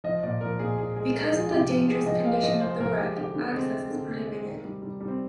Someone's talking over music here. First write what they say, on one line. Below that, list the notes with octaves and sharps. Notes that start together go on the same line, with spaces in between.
Because of the dangerous condition of the wreck, access is prohibited.
F3 D#5
A#2 D5
F3 A#4
A#2 G#4
A#2 G#4
G#3 G#4
G#3 A#4
F3 G#4
C3 G4
F3
G#3 G#4
F3 D#5
G#3 F5
F3 D#5
G#3 C5
F3 A#4
G#3 G4
D3 G4
D3 D4
G#3 C4
G#3
D3
G#3
G#3
D#3
G3
G3
G3
C4